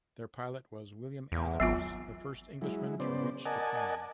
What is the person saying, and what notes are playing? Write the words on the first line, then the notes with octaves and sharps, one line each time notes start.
Their pilot was William Adams, the first Englishman to reach Japan.
E2
G#1 F#3 B3 F4
F#3 G#3 E4
C#3 B3 C5 D5
A#4 D5 D#5 F#5 G#5 A5